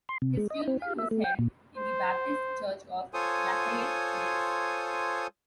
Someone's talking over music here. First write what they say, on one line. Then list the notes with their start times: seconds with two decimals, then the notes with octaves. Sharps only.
His funeral was held in the Baptist Church on Lafayette Place.
0.09 C6
0.22 C3
0.37 G#3
0.50 D#5
0.67 C4
0.82 F5
0.98 E5
1.11 A3
1.24 G5
1.39 A#2
1.77 C5
3.14 F4 A4 C5 C#5 G#5 D#6